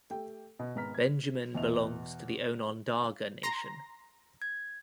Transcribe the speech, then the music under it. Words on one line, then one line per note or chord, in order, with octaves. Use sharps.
Benjamin belongs to the Onondaga Nation.
A3 G4 G5
B2
G#1 G#3 B3 A#5 F6 B6
G#6
E2 B2 D#5 E5 F7
A#5 C6 A#6
G#6